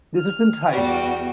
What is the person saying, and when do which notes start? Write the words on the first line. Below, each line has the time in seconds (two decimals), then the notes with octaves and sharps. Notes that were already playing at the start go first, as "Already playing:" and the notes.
This isn't hype.
0.16 F6
0.70 E2 G3 F#4